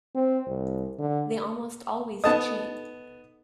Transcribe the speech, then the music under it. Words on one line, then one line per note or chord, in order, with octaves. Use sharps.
They almost always cheat.
C4
C2
D3
B3 D#4 A4 D#5 A5 D#6